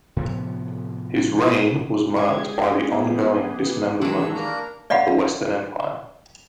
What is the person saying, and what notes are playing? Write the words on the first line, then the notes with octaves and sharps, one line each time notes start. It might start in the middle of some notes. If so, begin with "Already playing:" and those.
His reign was marked by the ongoing dismemberment of the Western Empire.
A2 C3 F3 B3
G#3 G4 G#4 G#6
B3
D#3 E3 G#3 D4 F#4 G#5 E6
G3 A#3 D4 A#4 A#5 C#6
D5 D#5 F5 F#5 B5